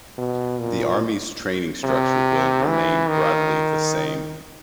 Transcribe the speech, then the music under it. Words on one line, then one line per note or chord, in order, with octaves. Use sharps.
The Army's training structure will remain broadly the same.
B2
A#2
C3
E3
D#3